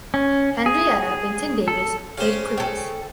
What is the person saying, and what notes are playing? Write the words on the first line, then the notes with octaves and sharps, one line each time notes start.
Henrietta Vinton Davis played Clarisse.
C#4
G#4
A4
C#3 C#4 G4 G#4 C5 F5
A4 G5